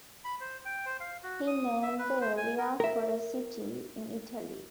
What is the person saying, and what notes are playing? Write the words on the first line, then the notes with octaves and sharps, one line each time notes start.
He named the area for a city in Italy.
B5
C5
G5
C5
F5
F#4
D#6
E5
B4
C5
G#5
A#4
A#4 E5